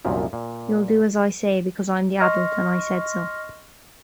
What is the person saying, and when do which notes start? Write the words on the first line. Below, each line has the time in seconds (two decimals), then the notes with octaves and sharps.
You'll do as I say because I'm the adult and I said so.
0.05 C2 F#2 A#2 F3
0.33 A#2
2.20 D#5 C6 C#6 F6 A#6